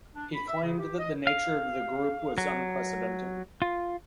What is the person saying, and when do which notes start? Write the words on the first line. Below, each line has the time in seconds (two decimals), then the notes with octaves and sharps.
He claimed that the nature of the group was "unprecedented".
0.15 D4
0.33 B5
0.47 E5
0.63 C#3
0.78 G4
0.99 D#5
1.27 F5
2.38 F#3
3.62 F4